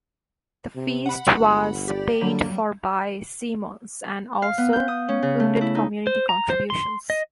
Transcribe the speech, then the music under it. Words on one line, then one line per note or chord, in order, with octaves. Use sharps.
The feast was paid for by Simmons and also included community contributions.
C3
F#5 B5
G1
G4 D5
D3 F#3 G3 A#3
F5
B3
G6
D#6
C#4
C#3
A3
E4
D#4
C5
A#5
C5
C6
D#5